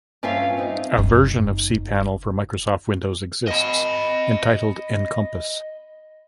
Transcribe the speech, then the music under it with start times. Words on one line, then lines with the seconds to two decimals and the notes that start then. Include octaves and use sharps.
A version of cPanel for Microsoft Windows exists, titled Enkompass.
0.23 G2 C#4 F4 C#5 E5 F5
0.57 C4 D#4
0.97 F#1 D#4
3.48 D#5 B5